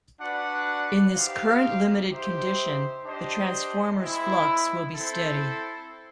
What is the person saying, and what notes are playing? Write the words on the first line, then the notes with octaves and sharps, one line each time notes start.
In this current-limited condition the transformer's flux will be steady.
D4 F#4 B4 D5 F#5
D#4 G4 C5 F5
D#4 G4 C5 E5
D4 G4 C5 D#5
G#3 C4 E4
C4 E4 A4